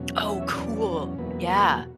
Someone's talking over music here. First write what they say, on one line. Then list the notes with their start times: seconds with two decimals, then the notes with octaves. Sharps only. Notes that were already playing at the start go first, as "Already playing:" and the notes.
Oh, cool. Yeah.
Already playing: E2 B2 F#3 C#4
0.21 E5
0.42 C#5
0.53 E2 B2 F#3 C#4 D5
1.18 E2 B2 F#3 A#3 B4
1.76 F#4